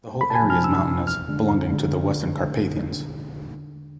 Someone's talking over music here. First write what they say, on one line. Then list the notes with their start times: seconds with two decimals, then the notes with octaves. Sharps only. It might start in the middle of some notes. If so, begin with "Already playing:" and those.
The whole area is mountainous, belonging to the Western Carpathians.
0.21 E2 B5
0.30 A5
0.35 G#5
0.43 C3 F3
0.50 F6
0.64 E2 E6
0.86 C3 F3
1.07 E2 F6
1.29 D3 G#3 D4
1.50 E2
1.72 D3 G#3 D4